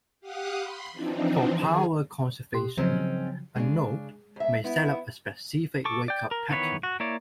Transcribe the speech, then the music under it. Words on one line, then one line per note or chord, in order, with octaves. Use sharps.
For power conservation, a node may set up a specific wake up pattern.
G4 F5 F#5 D#6 F#6
B5 C6
E3 F3 C4 D4 D#4
D#3 G#4
B2 G4 C6
G#2 C#3 F3 F#3 C4 C#4
C#3 G#3 D4
F2 E5
B3 E4
A4 C#6 D6
D5 G5
A#4
D#3 E3 B3 C#5 B5
F#4
A#3 E4 C#5 D5